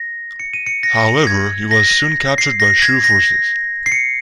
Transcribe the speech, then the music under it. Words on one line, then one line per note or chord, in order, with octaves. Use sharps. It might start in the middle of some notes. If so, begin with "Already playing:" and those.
However, he was soon captured by Shu forces.
Already playing: A#6
C#7
D#7
C#7
A#6
G#6
A#6
C7
A#6
G#6
A#6
C7
C#7